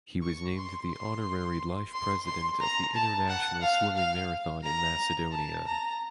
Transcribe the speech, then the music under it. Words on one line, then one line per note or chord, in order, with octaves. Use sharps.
He was named the Honorary Life President of the International Swimming Marathon in Macedonia.
C#6
C6
C6
C6
C6
A#5
A5
F#5
F5
F5
A#5
A5
A#5